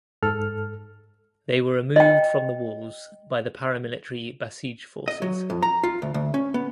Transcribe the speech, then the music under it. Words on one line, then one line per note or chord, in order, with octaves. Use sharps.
They were removed from the walls by the paramilitary Basij forces.
G#2 A4 F6
D#5 G5
D#5
F#3
F2
A#5
F4
D2
D2
C#4
B3